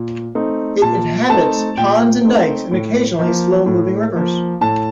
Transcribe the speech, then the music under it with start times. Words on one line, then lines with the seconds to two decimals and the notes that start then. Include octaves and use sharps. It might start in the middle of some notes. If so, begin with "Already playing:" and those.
It inhabits ponds and dikes, and occasionally slow-moving rivers.
Already playing: A#2
0.35 A3 C4 D#4
0.82 A#2 A5
1.29 A3 C4 D#4 A5
1.77 A#2 G5
2.24 A3 C4 D#4
2.71 A2
3.19 F3 A#3
3.66 A2
4.13 F3 A#3
4.61 A2 A5